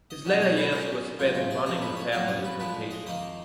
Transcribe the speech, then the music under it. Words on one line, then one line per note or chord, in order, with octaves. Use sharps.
His later years were spent running the family plantation.
D#5
B2 F#3 C#4
C#5
B4
A#2 G#3 C#4 A#4
F#2 C#3 G#3 F4
F4
G#4
A#2 F3 G#3 C#4 A#4
B4
C#5
F2 C#3 F#3 C#4 F5
D#5
B4
A#2 F3 G#3 B4
D#5
F2 D#3 A#3 D#4 D#5